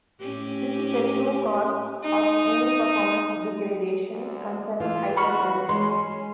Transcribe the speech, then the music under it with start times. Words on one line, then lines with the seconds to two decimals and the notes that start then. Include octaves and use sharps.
This is the true cause of any performance degradation concerning hyper-threading.
0.20 A2 C#4 G4
2.04 D#4
4.11 D2
4.80 E3 F4
5.17 F#4 B5 C#6 F6
5.69 G#3 C#4 C6